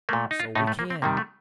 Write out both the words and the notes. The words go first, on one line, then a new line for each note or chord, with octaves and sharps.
So we can.
A#2 A3 A#3
D#4
F4
A2 A3 D#4
A3
A#3
C4
C3 D#3 G3 A#3
A3